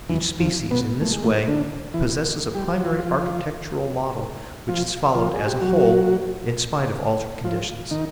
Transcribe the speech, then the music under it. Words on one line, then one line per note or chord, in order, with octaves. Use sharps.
Each species, in this way, possesses a primary architectural model which is followed as a whole, in spite of altered conditions.
E2 E3
F2 F3
B2 B3
A3
G#3
A2 A3
D3 D4
E3 E4
G3 G4
F#4
F3 F4
F3 F4
F3 F4
G#4
G4
F#3 F#4
F3 F4
D#3 D#4